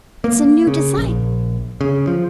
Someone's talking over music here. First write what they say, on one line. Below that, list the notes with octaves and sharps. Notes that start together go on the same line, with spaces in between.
It's a new desire.
A#3
C#3
A#1
C#3
F3